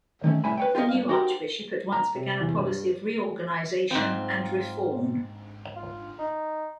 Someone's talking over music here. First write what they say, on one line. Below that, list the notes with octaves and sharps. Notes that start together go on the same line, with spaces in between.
The new archbishop at once began a policy of reorganisation and reform.
D#3 A3 C#4
C2 A2 E5 G#5 B5
B4 C#5 G5
F4 G4 A#4 D#5 F5
G2 F5
D#4 F#4 G4 A#4 C5
A#5
C3
E2
G2
G#2 C4 F4
F4
D#4